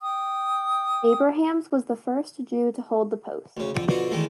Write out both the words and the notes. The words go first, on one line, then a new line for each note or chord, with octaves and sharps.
Abrahams was the first Jew to hold the post.
G5 D#6
D2 C#3
F2 D3
B2 D3 F3 F#4
E2 D#3 G#3 A3